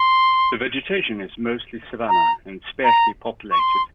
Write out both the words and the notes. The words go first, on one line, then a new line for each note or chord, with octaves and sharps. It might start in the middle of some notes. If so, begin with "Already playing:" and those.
The vegetation is mostly savanna, and is sparsely populated.
Already playing: C6
A#5
A#5
C#6
C6